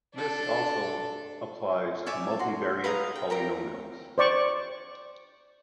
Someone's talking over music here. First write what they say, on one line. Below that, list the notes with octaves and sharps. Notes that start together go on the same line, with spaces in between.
This also applies to multivariate polynomials.
D4 A4
C#5 D5 E5 G#5
F#4 C6
B4 F5 A#5 D#6
G5
G4 A#4 A#5
C5 D5 C#6